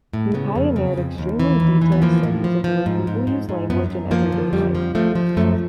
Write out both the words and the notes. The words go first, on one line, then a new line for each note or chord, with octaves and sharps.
He pioneered extremely detailed studies of the way people use language in everyday life.
A2
C#3 B3
F2
C#3
F2
D#2
E3
D#2
E3
B3
F3 A#3
A2
F3
F3
G#2
G#2
G#2
G#2
F#2 B3
F#2
F3 A#3
D3
F2 G3
F3
F3 A3
F3
F#2 A3